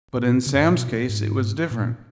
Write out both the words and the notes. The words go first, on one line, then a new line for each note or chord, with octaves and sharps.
But in Sam's case it was different.
A#2
C#3
F#2
G#2
A#2
B2
A#2
G#2
A#2